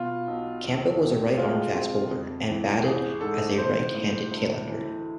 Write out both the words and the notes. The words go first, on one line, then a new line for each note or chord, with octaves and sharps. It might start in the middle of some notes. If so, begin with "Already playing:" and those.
Campbell was a right arm fast bowler, and batted as a right-handed tail ender.
Already playing: B2 B3 F4
B1
E2
E1
G#3 F4
C4
F2
E3
A1 G#4
G#2 A4
A2 C5
A2
D2
E3